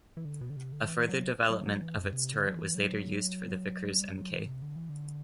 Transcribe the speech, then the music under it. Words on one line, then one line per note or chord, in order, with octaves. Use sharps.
A further development of its turret was later used for the Vickers Mk.
E3
D3
B2
D3
C3
D3
E3
F#3
F#3
F#3
E3
F#2
C3
D3
F#3
E3
F#3
G3
F#3
E3
C3
D3
E3
D3